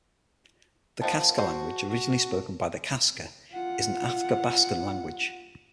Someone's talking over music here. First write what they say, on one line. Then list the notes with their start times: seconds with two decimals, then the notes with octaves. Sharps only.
The Kaska language originally spoken by the Kaska is an Athabaskan language.
1.01 D#3 F3 B3 A5
1.38 F#4 C5
1.90 F#4
3.52 F4 F#5